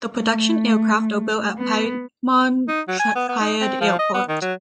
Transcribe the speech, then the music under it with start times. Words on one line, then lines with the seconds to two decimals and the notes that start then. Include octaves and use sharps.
The production aircraft are built at Piedmont Triad Airport.
0.14 A3
1.58 B3
2.68 D#4
2.88 F#3
2.99 G#5
3.15 B3
3.29 B3
3.41 D#4
3.61 C4
3.81 F3
3.99 D#5
4.14 B3
4.28 D#3
4.42 F#3